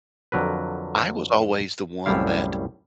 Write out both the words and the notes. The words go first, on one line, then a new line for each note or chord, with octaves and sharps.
I was always the one that
F2 D3 F#3 A#4 B4
C2 F#2 A2 G3 E4 F5